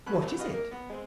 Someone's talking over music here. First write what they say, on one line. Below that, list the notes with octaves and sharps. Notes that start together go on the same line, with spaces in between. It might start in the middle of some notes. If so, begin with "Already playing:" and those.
"What is it?"
F#2 B4 B5 F#6
C2
F4 B4 D#5 F5
A#3 A#4
B3
G#3 C4